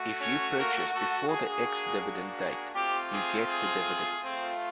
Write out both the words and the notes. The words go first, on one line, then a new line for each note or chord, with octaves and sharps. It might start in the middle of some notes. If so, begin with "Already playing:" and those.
If you purchase before the ex-dividend date, you get the dividend.
Already playing: A3 F#4
C#4 C#5
A#3 A#4
A3 A4
A#3 D4 F#4 G#4
G#4
A3 C4 F4 G4
G#4
G#4
A3 C4 F4